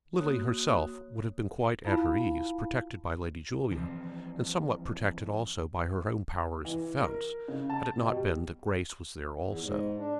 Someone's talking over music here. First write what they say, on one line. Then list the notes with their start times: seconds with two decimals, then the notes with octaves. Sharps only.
Lily herself would have been quite at her ease, protected by Lady Julia, and somewhat protected also by her own powers of fence, had it not been that Grace was there also.
0.18 A#3 F#4 C#5 D#6
1.85 E4 F4 F5 A5 B5
3.71 E3 F3 G3 C4
6.65 E3
7.00 A#4
7.48 C#3
7.70 A5
7.98 B2
8.12 G3
9.45 E2
9.60 G#2
9.98 D4